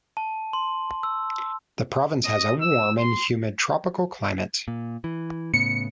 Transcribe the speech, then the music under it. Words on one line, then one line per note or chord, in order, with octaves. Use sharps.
The province has a warm and humid tropical climate.
A5
C6
E6
D#5
E6
C6
A#2
E3
A2 C#3 B3 C#7